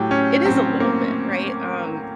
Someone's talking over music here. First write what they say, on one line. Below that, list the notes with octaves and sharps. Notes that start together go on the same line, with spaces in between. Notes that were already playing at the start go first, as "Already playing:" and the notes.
it is a little bit, right? Um,
Already playing: A2 F#3 G4
C#4
A2 F#3 C4
A#3